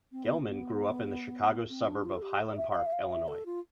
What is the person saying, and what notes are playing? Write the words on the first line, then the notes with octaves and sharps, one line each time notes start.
Gelman grew up in the Chicago suburb of Highland Park, Illinois.
C4
B3
B3
C4
D4
F4
A4
G4
A4
D5
E5
E5
F5
E5
F5
E5
A4
F4